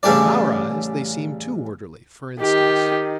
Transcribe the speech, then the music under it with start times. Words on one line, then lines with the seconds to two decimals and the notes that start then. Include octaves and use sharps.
To our eyes they seem too orderly, for instance.
0.03 A1 C#3 G3 D4 D5
2.41 D#3 G4